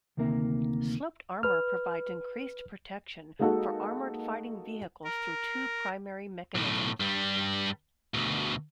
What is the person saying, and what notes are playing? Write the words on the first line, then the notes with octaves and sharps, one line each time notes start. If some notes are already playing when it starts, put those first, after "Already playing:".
Sloped armour provides increased protection for armoured fighting vehicles through two primary mechanisms.
D2 C3 D#3 A#3 A#4 E5
B4 F6
G#3 A#3 D#4 F#4 A4
A#4
B1 A2
G2 G3
D2 B2